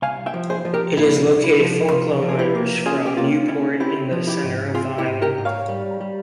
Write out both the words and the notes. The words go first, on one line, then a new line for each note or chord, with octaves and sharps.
It is located four kilometres from Newport in the centre of the island.
C2 F5 G#5
E5 G5
F3
G#4 C5
F3
G4 A#4
A#2 E4
C2
E4
F3
E4
C3 F4
F3
G#4
E4 G4
A#3
C#4 F4 G#4
G4
A#3 F4
C#4 E4
C4 E4 G4
F3
E4 G4
G#2
C4 F4 G#4
E4 G4
G#2
G4 A#4
G#2
C#5 F5
G3
G3